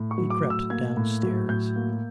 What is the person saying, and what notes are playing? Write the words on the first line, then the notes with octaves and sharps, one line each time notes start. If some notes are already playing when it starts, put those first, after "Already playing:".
He crept downstairs.
Already playing: A2
C#6
F#3
D6
A2
E6
A#3 G#6
A2
F#3
A2 G6
A#3